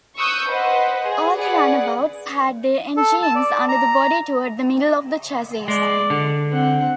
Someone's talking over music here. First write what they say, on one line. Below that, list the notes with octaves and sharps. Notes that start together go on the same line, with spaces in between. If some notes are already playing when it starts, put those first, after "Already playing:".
Early runabouts had their engines under the body toward the middle of the chassis.
C#6 D#6 E6 F#6 G6
B4 C5 D#5 F#5
G#4
G#4 B4 D5 F#5
A4
A5
D5
A#5
G#3 D5
D3
C4 F#5